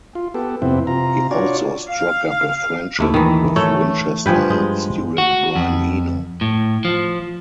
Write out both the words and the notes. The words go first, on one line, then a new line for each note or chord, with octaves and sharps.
He also struck up a friendship with Winchester art student Brian Eno.
F4
B3 G4 A4
F2 C3 B3 C4 E4
C3 F4 A#5
D4 F4 F#4 C#5 D5
F5
D#2 A3 E4
D#3 E3
A3 C#5
G2 F3 B4 G5 G#5
G#3
F#4
F2
A2
F3